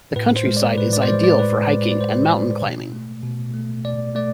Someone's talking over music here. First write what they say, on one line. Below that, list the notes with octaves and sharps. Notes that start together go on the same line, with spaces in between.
The countryside is ideal for hiking and mountain climbing.
A2 B4
C5
G#3
D5
A2 B4
D5
C5
G#3 D5
D5
A2 B4
G#3
D5
A2 C5
G#3
B2
A3
B2
A3
B2 D5
A3 D5